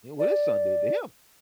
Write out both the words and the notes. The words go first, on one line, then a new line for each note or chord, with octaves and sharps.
You know, what his son did to him
D5